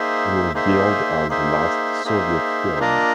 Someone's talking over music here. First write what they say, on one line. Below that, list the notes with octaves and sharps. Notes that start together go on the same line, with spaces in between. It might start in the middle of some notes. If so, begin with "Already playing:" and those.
It was billed as The Last Soviet Film.
Already playing: A#3 D#4 G#4 C5 E5
A#3 D#4 G#4 C5 E5
A#3 D#4 G#4 C5 E5
A#3 D#4 G#4 C5 E5
A#3 D4 F4 A#4 D#5